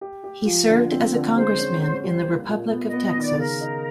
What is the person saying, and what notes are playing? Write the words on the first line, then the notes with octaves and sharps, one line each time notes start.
He served as a congressman in the Republic of Texas.
G4
G4
F3
D3
C4
D3
G#3 C5
C#4
C#4
G3 C5
A#3
A#2
B3
D#5
B3
D#5
D#3 D5
C#3 A#4
D#4